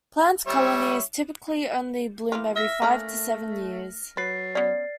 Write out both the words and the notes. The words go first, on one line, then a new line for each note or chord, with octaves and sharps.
Plant colonies typically only bloom every five to seven years.
G3 C#5 E5
E3 A#3 F4
E5 F6 A#6 B6
A3 A#3 C#4 D4
F#3 B4 A6 C7
B3 C#4 D5